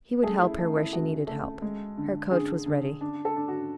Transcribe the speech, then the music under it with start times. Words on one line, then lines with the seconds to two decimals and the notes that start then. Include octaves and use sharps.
He would help her where she needed help; her coach was ready.
0.23 A3 G#4
0.42 E4
0.59 A3
0.76 E4
0.93 A3 F#4
1.27 A3
1.62 G#3
1.98 D3
2.31 D3 G#4
2.66 D3
3.01 D4
3.25 A4
3.36 D4
3.48 F#4